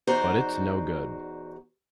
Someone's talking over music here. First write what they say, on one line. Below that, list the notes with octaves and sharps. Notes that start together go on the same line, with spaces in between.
But it's no good.
E2 D#4 F#4 C5 D5